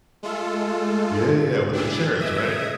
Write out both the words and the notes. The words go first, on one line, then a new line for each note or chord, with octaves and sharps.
Yeah, yeah, with them chairs, right?
G#3 A3 F4 A4
D4 E4 G4 G#4
D#5 E5 D#6 G#6 D7